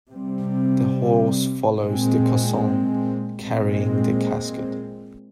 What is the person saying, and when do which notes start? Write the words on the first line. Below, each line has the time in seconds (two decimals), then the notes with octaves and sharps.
The horse follows the caisson carrying the casket.
0.10 C3 G3 C4
1.77 A#2 G#3 C4
3.43 A#2 G#3 C4